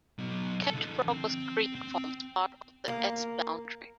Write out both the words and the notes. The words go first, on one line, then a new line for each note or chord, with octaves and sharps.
Cattaraugus Creek forms a part of the S. boundary.
F#3 B3
A4 A5
D3 F3
C4
C4
A#3